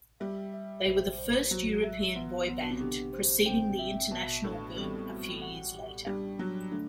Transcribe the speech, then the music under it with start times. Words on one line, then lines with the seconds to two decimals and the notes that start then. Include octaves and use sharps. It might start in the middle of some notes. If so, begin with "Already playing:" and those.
They were the first European boyband preceding the international boom a few years later.
0.20 G3 E5
0.54 E5
0.86 C5
1.18 C5
1.51 F#3 F#4
1.84 E5
2.16 B3
2.49 B3
2.61 B2
2.70 C3
2.81 D3 G4
3.13 C5
3.46 C3 G5
3.79 E5
4.11 B2 A5
4.44 A2 D4
4.77 G3 C4
5.09 F#4
5.42 F#5
5.75 G4
6.06 G3 D4
6.39 F#3 D4
6.72 D3 A3